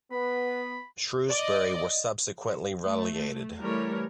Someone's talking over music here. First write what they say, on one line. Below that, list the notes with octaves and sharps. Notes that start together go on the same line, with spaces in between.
Shrewsbury were subsequently relegated.
B3 B4 B5
D5 D#5
A3
E3 G3 A3 A#4 C#5